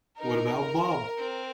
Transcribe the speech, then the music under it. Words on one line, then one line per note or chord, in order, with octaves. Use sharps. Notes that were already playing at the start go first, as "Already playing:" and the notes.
What About Bob?
D#4 A#4
C4